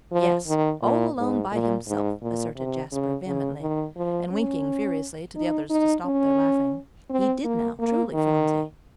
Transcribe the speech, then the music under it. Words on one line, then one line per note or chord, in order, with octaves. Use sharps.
"Yes, all alone by himself," asserted Jasper, vehemently, and winking furiously to the others to stop their laughing; "he did now, truly, Phronsie."
F3
D#3
A#2
G#2
A#2
G#2
A#2
C3
C#3
C#3
D#3
F3
C#4
D#4
D#4
C#4
C4
A#3
A#3
D#3